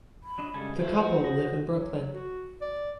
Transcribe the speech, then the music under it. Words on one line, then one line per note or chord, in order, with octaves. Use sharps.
The couple live in Brooklyn.
B5
F#3 D4 D#5
F#2 C#3 G3 G#3 A4 G#5
F2 D#3 F3 E4 F4 A4 B4 C5
F#4
C#4 D#5
F#3
F#4
D5